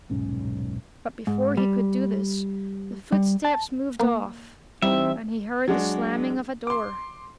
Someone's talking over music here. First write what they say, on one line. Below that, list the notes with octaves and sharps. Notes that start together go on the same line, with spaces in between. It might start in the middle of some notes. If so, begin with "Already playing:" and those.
But before he could do this the footsteps moved off and he heard the slamming of a door.
D#1 B1 G#2 C#4
G#2
G3
G3
A5
A#3
E3 G3 C4 D#4 E5
F#3 G#3 D4
C6 D6